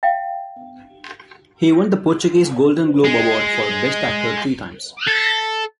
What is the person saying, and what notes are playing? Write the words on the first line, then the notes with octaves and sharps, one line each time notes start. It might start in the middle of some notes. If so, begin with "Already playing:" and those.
He won the Portuguese Golden Globe award for best actor three times.
E5 F5 G5
G#3
A4